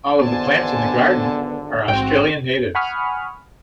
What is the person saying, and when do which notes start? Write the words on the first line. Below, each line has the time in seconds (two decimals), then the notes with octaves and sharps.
All of the plants in the Garden are Australian natives.
0.20 G#1 D3 B3 C5 G#5 A5
1.88 A1 G#2 C4 F#4 G5
2.75 F#5 G#5 B5 C#6 D#6 F6